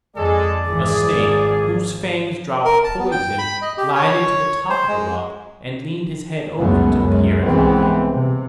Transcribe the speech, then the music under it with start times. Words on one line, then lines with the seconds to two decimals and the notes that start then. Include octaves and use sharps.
A snake, whose fangs dropped poison, glided to the top of the rock and leaned his head over to peer at Loki.
0.16 F2 G#3 G#4 A4 D5
0.66 G#1 E3 G#4
1.04 G#1 F3
2.65 A#4
2.84 A5
2.99 B3
3.11 G5
3.38 B5
3.62 D#5
3.77 G4
3.95 C#5
4.70 C5
4.88 G#3
6.58 C#2 F#2 G#3 A3 B3
6.99 F#2 C#3 G#3
7.43 C2 E3 G#3 B3 C4
8.12 C3